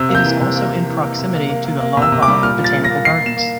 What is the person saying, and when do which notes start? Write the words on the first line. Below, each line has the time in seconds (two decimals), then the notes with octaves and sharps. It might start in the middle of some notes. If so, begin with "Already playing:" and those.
It is also in proximity to the Lalbagh Botanical Gardens.
Already playing: C3 C4 E6
0.09 A#3
0.15 G6
0.25 E3
0.41 C3
0.56 A#3
0.72 A#3
0.88 E3
1.03 A#3
1.18 C3
1.34 A#3
1.50 A#3
1.65 A#3
1.80 A#3
1.97 C3 E6
2.12 C3
2.22 D6
2.28 G3
2.43 A#2 F6
2.59 F3
2.64 A6
2.74 A#3
2.84 A#6
2.90 A#3
3.05 A#3 C7
3.21 A#3
3.26 E7
3.37 A#3